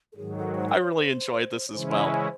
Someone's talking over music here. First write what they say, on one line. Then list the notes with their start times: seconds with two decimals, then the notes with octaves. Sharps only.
I really enjoyed this as well.
0.13 A4
0.16 G#2 D#3 F#3 G#4
0.36 A4
0.55 C5
0.69 D5
0.76 C#5
0.95 C5
1.68 C#5
1.73 C#3 E3 G#3 C#4 E4 C5
2.05 C#5
2.12 C5